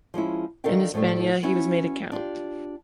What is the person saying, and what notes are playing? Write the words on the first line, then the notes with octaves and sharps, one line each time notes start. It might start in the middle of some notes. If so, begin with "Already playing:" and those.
In Hispania he was made a count.
F3 G#3 C#4 E4
D#3 D4 A4 A#4 F5 G5
A2 F3 G3 A3 G4
B3 C#4 E4 F#4
D4 F4 G4